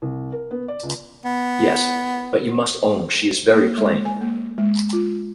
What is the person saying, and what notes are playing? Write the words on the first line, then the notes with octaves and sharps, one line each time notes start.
Yes; but you must own she is very plain.
C2
A#4
B3
D5
C#2
B3
A#3
G#3
G#5
A#3
G#3
F4